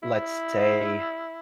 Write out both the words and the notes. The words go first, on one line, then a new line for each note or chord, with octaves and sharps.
let's say,
E4